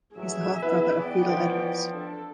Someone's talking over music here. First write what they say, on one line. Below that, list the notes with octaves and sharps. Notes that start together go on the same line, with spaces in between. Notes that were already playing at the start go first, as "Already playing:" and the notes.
He is the half brother of Fidel Edwards.
A1 F#3 G#4 E5
B3 E4 B4
E3 B3 D5 G5
F3
D4 A4